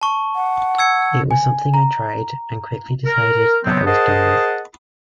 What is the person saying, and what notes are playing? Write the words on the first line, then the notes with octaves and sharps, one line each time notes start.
It was something that I tried and quickly decided that I was done with.
A5 C#6
F#5
E6 G#6 C#7
G#5
A#5
A#4
F#3 B3 C4
G#4 A#4 C5 D#5 F#5 A5